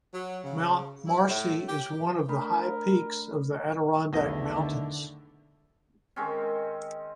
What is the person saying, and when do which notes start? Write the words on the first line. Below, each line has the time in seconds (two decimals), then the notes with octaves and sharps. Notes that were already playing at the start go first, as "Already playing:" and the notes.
Mount Marcy is one of the High Peaks of the Adirondack Mountains.
0.14 F#3
0.44 C#3
1.06 E4
1.28 A2
1.69 G4
2.29 A3 D4 A#4 B5
4.13 B1 E2 D3 D#3 A3 E4 D#5
6.16 D#3 G#3 C4 C#4